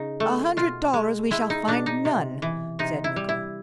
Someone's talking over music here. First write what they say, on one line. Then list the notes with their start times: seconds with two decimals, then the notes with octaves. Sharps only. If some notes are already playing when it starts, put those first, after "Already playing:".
"A hundred dollars we shall find none!" said Nicholl.
Already playing: C#3 D#4
0.20 A3
0.57 B2 F4
0.93 G#3
1.31 G#3 E4
1.50 D#4
1.68 B2 D4
1.86 D#4
2.05 C3
2.42 E3
2.79 C3 D#4
3.04 E4
3.16 G3
3.29 E4